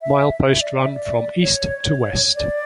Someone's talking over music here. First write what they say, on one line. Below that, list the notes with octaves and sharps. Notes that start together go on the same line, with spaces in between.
Mileposts run from east to west.
E5
E5
D5
E5
D5
C#5
C#5
D5